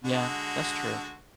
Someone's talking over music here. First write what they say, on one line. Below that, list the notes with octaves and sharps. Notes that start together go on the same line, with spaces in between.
Yeah, that's true
D3 G#3 F#4